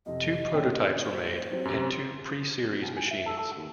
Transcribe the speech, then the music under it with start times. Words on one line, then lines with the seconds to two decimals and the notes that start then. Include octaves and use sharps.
Two prototypes were made and two pre-series machines.
0.06 F2 C3 D#5
0.53 A#2 C#4 G5
1.04 C5
1.51 F#3 G3 C4
1.65 F#2 C3
2.81 C2
2.97 G#5
3.11 E5
3.26 A4
3.39 A4
3.57 D#2